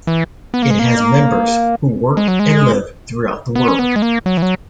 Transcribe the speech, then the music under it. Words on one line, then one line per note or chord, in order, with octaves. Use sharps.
It has members who work and live throughout world.
E3
B3
A#3
G#3
A#3
G#3
F#3
G#3
B3
C#4
B3
G#3
A#3
F#3
E3
F#3